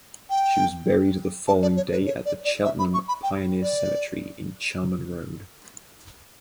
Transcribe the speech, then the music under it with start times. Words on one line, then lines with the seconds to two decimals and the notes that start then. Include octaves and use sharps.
She was buried the following day at the Cheltenham Pioneer Cemetery in Charman Road.
0.30 G5
1.48 A5
1.62 D5
1.77 C#5
1.91 B4
2.06 C#5
2.26 D5
2.45 D5
2.64 E5
2.79 B5
2.94 C#6
3.08 B5
3.23 G5
3.62 D5